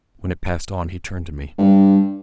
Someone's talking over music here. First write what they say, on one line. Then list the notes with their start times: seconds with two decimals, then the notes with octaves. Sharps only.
When it passed on, he turned to me.
1.58 G2